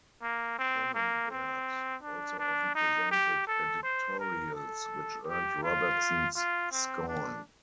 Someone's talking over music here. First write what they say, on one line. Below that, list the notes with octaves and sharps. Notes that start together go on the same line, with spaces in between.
Camembert also often presented editorials, which earned Robertson's scorn.
A#3
C4
A#3
C4
D4
D4
D#4
G4
A4
C5
A#4
A4
G4
F4
F4
C4
D4